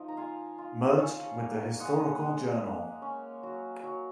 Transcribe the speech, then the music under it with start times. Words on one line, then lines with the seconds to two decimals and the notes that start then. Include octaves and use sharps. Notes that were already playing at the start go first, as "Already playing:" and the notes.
Merged with the "Historical Journal".
Already playing: F3 D#4 D#5
0.08 A#5
0.17 F4 F5 G#5
0.58 F4
0.98 C#4 C#5 F5
1.39 A#3
1.80 G#3 D#5 F#5
2.21 G#3
2.61 A#3
3.02 C#4
3.43 F#3
3.84 F#3